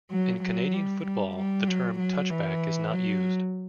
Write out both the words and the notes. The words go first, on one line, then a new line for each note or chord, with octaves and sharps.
In Canadian football the term "touchback" is not used.
F#3
F#3
G3
G3
G3
F#3
F#3
E3
F#3